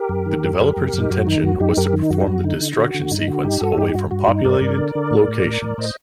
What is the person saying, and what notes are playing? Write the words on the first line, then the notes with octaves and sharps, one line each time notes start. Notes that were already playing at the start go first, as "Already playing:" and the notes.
The developers' intention was to perform the destruction sequence away from populated locations.
Already playing: G4 A#4
F#2
D#3
F#2
F#2
F#2
F#2
D#4
F#2 F#4
D#3 D#4
F#2 F#4
F#2 D#4 G4
F#2 G4 A#4
D#3
D#4
F#2 F#4
D#4
F#2 F#4
D3 D#4
D3
D#4
D3 F#4
D3
G2 D#4
D3 F#4
G2 D#4 G4
G2 F#4 A4
G2 D#4 G4
G2 F#4
G2 F#4
G2 D#4
G2 A#4 D5
G2
D3
D3
A2
A2
A2
A2
A2 C5 D#5